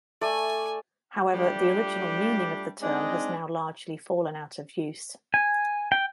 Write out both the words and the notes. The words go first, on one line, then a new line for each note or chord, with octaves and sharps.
However the original meaning of the term has now largely fallen out of use.
A3 D5 G#5
G3 A3 D4 F4 G4
G#3 C4 D4 D#4
G#5
G5